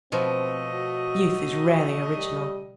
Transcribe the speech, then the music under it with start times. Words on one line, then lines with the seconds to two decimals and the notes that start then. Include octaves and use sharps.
Youth is rarely original.
0.12 B2 F3 A3 C4 C#5 D#5
0.73 F#4
2.16 G3